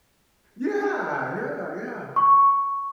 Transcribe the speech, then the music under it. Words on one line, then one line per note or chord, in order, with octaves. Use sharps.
Yeah, yeah, yeah.
C#6